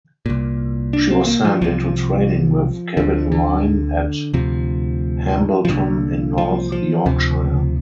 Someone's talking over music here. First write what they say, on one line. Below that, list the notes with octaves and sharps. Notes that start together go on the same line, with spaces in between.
She was sent into training with Kevin Ryan at Hambleton in North Yorkshire.
C2 A#2
D4
C4
A#3
F3
C2 C3 F3
D2 D3 F3
D3
D2 C3 F3
F3
C2 A#2 D3
F3
F3
D2 C3